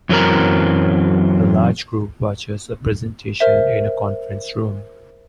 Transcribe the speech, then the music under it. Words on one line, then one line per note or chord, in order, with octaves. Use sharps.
A large group watches a presentation in a conference room.
F#2 E3 F#3 C4 A#4 A#5
A#4 C5 E5